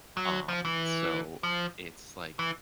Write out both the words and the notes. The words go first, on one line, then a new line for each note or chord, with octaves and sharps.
Um, so it's like
F#3
F3
E3
F3
E3